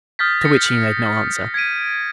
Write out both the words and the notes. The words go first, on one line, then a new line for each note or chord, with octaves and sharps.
To which he made no answer.
D#6 F6 G6 A6 B6
A#6 C#7
G#6 B6 D7 D#7